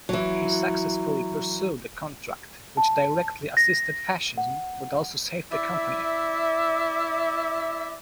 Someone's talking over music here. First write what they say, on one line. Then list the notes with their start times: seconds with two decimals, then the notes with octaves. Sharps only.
He successfully pursued the contract, which directly assisted fascism but also saved the company.
0.09 E3 F#3
2.77 A5
3.57 A#6
4.38 F#5
5.52 E4 D5 E5